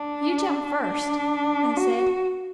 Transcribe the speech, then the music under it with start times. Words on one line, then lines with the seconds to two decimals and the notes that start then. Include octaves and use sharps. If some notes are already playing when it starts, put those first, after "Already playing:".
"You jump first," I said.
Already playing: D4
0.83 D4
1.77 F#4